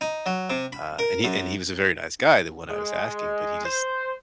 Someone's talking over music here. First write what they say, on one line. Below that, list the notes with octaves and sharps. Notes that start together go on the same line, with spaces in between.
uh, and he and he was a very nice guy, the one I was asking, but he just
D#4
F#3
C3
B5
A#4
F#2
G#3
C5